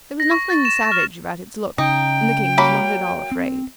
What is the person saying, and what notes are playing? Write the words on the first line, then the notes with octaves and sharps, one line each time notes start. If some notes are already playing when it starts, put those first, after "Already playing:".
There was nothing savage about its look, and the King was not at all afraid.
A#6
C#6
A6
E7
F6
C#3 D#4 G5
F#3 A#3 B5
C4